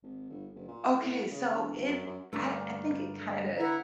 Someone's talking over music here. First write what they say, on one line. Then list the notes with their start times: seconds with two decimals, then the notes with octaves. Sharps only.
Okay, so, it I I think it kinda
0.03 G#1
0.30 G1
0.55 F#1
0.68 A#2
1.00 A2
1.31 C#3
1.56 E1
1.73 G1
1.87 F#2
2.07 F#2
2.33 G2 D3 A3 A#4 D5
3.57 E4 B4 F#5 A#5